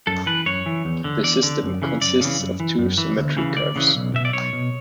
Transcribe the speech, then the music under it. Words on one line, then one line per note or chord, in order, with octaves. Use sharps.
The system consists of two symmetric curves.
F#2 A4
E3 B4
F#2 C#5
E3
E2
D3
E2 D5
D3
F#2
C#3 E3
F#2 D5
C#3 E3
F#2
E3
F#2
E3
D2
C#3 E3
D2 D5
C#3 E3
B1
B2 E5
D5
B1 C#5
B2